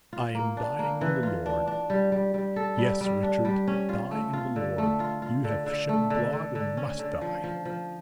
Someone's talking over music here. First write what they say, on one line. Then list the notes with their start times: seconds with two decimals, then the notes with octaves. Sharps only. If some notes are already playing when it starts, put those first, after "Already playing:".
I am dying in the Lord.' 'Yes, Richard, die in the Lord; you have shed blood and must die.
0.13 F4
0.35 A#3
0.57 D4
0.79 A#3
1.01 E3
1.23 F4
1.46 D4
1.68 D4
1.90 G3
2.12 G3
2.34 G3
2.56 A4
2.78 G3
3.01 G3
3.23 D4
3.45 G3
3.68 C#4
3.89 F4
4.11 A3
4.33 F4
4.56 D3
4.78 A3
5.00 F4
5.22 F4
5.44 D3
5.66 D3
5.89 A3
6.10 D3
6.33 D3
6.55 D3
6.77 C#4
6.99 D3
7.21 F3
7.44 F3
7.65 F3